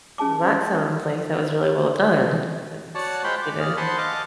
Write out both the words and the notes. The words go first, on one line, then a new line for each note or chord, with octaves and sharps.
That sounds like that was really well done. It's you know?
C#4 G#4 A5 D6
F#4 C#5 D5 F#5 A5
G#3 F4 C5 G5 B5 C6
D6
G#4 D5 F6
C5 F#5 G#5 A5 B5 C6
D#5 F5 A5 D6